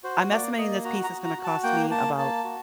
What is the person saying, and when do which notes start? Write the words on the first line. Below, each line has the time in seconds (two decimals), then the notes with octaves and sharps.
I'm estimating this piece is gonna cost me about"
0.04 F#4 C5
0.31 A#3 D5
0.58 A#3 D#5
0.84 F#4 A#5
1.04 A#5
1.10 F#4
1.24 A#5
1.38 F#4
1.44 A5
1.63 A#3 G5
1.90 A#3 A5
2.17 A#3 A5
2.44 F#4